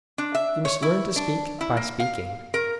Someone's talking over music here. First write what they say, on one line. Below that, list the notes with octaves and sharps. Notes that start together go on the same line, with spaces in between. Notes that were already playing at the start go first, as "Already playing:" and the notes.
You must learn to speak by speaking.
D4
E5
C#5
E4
D4
E4
A#3
F5
A#4